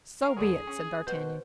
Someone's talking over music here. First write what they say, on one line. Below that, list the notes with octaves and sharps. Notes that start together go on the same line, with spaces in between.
"So be it," said d'Artagnan.
A#4 F5
E2 D3 F#3 G#4
C#4
B2 C5